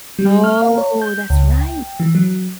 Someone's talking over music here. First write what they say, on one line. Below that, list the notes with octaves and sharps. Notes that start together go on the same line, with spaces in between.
Oh, that's right.
G3
F6
F5
C#5
G6
C#2
G5
E3
F#3